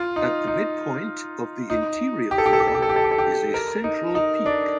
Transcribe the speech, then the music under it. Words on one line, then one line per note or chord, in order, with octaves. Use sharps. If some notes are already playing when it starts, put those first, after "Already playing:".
At the midpoint of the interior floor is a central peak.
Already playing: F4
D#4
D#4
D#4
G4
A4
G4
A4
G4
A4
G4
A4
G4
A4
G4
A4
G4
A#4
D#4
D#4
D4